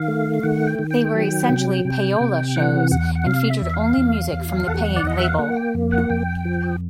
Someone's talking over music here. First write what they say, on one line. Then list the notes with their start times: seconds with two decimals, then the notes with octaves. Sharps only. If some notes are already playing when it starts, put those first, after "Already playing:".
They were essentially 'payola' shows, and featured only music from the paying label.
Already playing: D#3 F5
0.08 A3
0.43 D#3 F#5
0.67 G5
0.79 D#3
0.91 G5
1.14 F#3
1.49 C3
1.85 C3
2.20 C3
2.56 E3 F#5
2.91 E2 F#5
3.15 F#5
3.26 C3 F5
3.50 E5
3.62 E2
3.74 F5
3.97 E2
4.33 E2
4.68 E2 F#5
4.96 D5
5.03 E2 D#5
5.17 E5
5.28 F5
5.39 A#3 F#5
5.56 G5
5.74 F2
5.92 F#5
6.10 F2 G5
6.45 F3